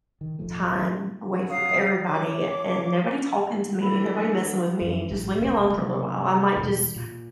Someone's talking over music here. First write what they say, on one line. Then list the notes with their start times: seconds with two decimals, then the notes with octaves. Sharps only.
time away from everybody, and nobody talking to me, nobody messing with me. Just leave me alone for a little while. I might just
0.21 D#3
0.39 E1 A1 F3 A3
1.49 F#3 F5 D#6
2.04 C#5 D6
3.82 E3 F#3 D4 A4 B5
4.81 F#2
5.10 A#1 A2 G3
5.39 E1 C2 A3 C4
5.74 C3 F#3 A#3
6.56 E2 B2 E3
6.96 A#2